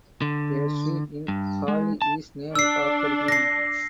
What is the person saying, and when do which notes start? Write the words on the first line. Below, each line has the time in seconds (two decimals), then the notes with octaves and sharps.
A street in Halle is named after him.
0.22 D3
1.28 G2
1.68 G#3
2.02 A5
2.55 D4 E6 C7
3.28 A#6 C7